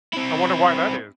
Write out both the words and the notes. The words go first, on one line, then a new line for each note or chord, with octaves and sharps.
I wonder why that is.
C4 E4